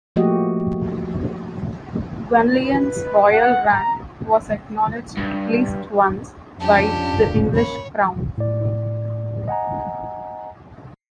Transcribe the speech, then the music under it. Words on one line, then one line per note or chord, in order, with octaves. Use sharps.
Gwenllian's royal rank was acknowledged at least once by the English Crown.
F3 A3 A#3 F#4 G4 D#5
B4
F#5
A#5
G2
F2 F3 C#4 D4 F4 G4 A5
A#3 C#4 C#5 B5
A2 D5
D#5 F#5 G#5 A#5